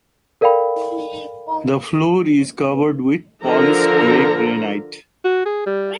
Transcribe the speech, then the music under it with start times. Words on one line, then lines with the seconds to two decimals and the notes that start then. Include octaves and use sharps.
The floor is covered with polished grey granite.
0.41 A4 A#4 D5 F5 G5 B5
3.44 D3 F3 A4 A#4 A#5
5.24 F#4
5.45 G#4
5.66 G3